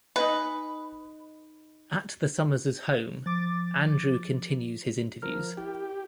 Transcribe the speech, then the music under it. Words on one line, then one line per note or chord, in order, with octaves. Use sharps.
At the Summers' home, Andrew continues his interviews.
D#4 B4 D#5 G#5
F3 D6 A6
F3 A#4 F6
E4 G4